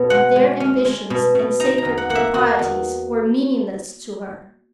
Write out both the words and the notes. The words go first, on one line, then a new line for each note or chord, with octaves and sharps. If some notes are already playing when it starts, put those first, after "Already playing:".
Their ambitions and sacred proprieties were meaningless to her.
Already playing: B2
G#3 F#5
G#3
C#4
G#3
B2
B2
D#4 A#5
A#5
E2
F#5
A#3 F#5
E5
E2 F#4
E2